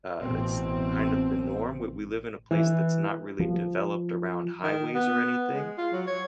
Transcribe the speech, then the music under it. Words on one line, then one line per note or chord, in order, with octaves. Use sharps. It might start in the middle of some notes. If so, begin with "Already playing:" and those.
uh, it's kind of the norm, we we live in a place that's not really developed around highways or anything,
A1 B2 C4
E3
F3
D#3
B3
G#3
F4
F#3
C#5